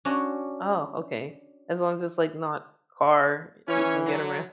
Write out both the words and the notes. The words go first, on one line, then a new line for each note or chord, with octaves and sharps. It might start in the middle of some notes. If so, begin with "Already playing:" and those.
Oh, okay. As long as it's like not car, you can get around.
C#4 D4 F#4
E3 C#4 C#5
F#3